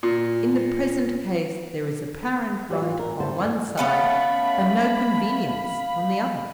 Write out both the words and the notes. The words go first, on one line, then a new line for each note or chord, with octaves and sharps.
In the present case there is apparent right on one side, and no convenience on the other.
A#2
F#3 G3 F4
F4
A#4
G2 E4 C5 A5
E2 A4 D5 G#5
A3 B3 C#4 F5 B5